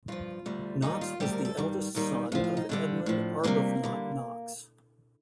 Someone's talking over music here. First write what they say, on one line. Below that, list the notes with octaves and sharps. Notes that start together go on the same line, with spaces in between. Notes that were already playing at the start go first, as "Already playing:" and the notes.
Knox was the eldest son of Edmund Arbuthnott Knox.
G2 F3 F4
D2 D3 G3
D#2 D#3 G3 D#4
F4
D2 C3 G3 G4
A#4
A4
G2 D#3 G3
D#2 D#3 G3
A2 F3 F4
F4
D#4
G2 D3 G3 D4
A2 F3
D2 C3 G3 A#3
D3 G3